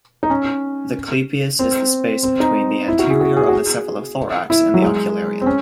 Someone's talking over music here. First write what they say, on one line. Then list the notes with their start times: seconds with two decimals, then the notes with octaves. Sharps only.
The clypeus is the space between the anterior of the cephalothorax and the ocularium.
0.23 D#4
0.30 C#4
1.59 C4
2.23 C4
2.40 D#4
2.88 E4
2.99 F#4
3.10 G#4
3.21 F#4
3.36 G#4
3.48 F#4
3.53 G#4
4.50 E4
4.74 F#3
4.82 G#3
5.41 C4
5.46 C#4